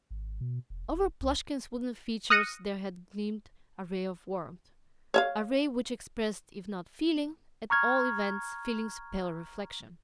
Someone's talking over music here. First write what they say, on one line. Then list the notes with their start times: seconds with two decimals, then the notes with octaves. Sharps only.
Over Plushkin's wooden features there had gleamed a ray of warmth--a ray which expressed, if not feeling, at all events feeling's pale reflection.
0.11 G#1
0.41 B2
0.70 E1
0.88 D#1
1.21 C2
2.30 D#6 F6 F#6 A#6 C#7 D#7
5.14 C#5 E5 F5
7.70 A#5 C#6 F6 G#6